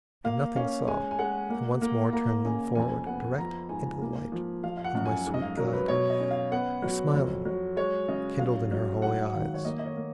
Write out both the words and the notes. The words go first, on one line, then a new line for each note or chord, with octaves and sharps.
And nothing saw, and once more turned them forward Direct into the light of my sweet Guide, Who smiling kindled in her holy eyes.
A#3 F5
C#4 F5
G#3 G#5
G#5
G#3 F#5
A#3
A#3
A#3 A#5
C#3 G#5
F2 G#5
B3 F#5
F3 A#5
G#2 G#5
A#3
F3
F3 F5
F5
F#5
F#2
G#5
G#2
D#5
F5
F#3 A#4
B4
B2 C#5
D#5
C#4
F5
B3 F#5
F#3
F2
F#3
G#3 C#5
C#3 D#5
F#3 F5
F#3
G#2 F#5
D#3 F5
C#5
A#3 D#5
D#5
C#5
A#3